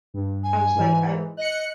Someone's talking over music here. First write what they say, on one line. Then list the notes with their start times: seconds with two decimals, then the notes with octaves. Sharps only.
I was like, I
0.14 G2
0.43 G#5
0.75 G#2 E3
1.37 D#5 F#6 C#7